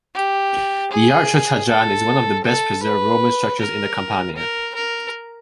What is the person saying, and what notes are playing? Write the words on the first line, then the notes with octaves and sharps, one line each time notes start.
The Arch of Trajan is one of the best-preserved Roman structures in the Campania.
G4
G#4
A4
A4
B4
A#4
A#4
A#4